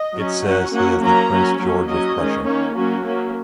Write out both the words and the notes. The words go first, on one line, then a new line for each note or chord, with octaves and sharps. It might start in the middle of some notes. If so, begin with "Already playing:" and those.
It says he is Prince George of Prussia.
Already playing: D#5
F#3 C#4
F#3 C#4 F#5
F#3 A#3 C#4 F#5
F#3 A#3 C#4 A#5
F#3 C#4
F#3 A#3 C#4
F#3 C#4 D#5
D#3 G#3 C#4
D#3 A#3 C#4 C#5
F#3 A#3 C#4 F#4
F#3 A#3 C#4